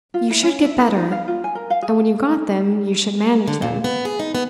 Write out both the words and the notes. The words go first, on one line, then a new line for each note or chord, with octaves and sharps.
You should get better; and when you've got them, you should manage them.
F4
E4
C#4
E5
A4
D#4
F5
F4
G#5
A#4
F5
G#4
D3
A#2
B3
G#4
D#4
B3